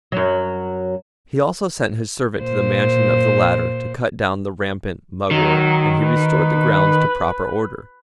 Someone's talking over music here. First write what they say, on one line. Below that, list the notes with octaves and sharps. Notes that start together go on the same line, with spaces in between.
He also sent his servant to the mansion of the latter to cut down the rampant mugwort, and he restored the grounds to proper order.
F#2 F#3
A#2 C5
D#3 F#3
B4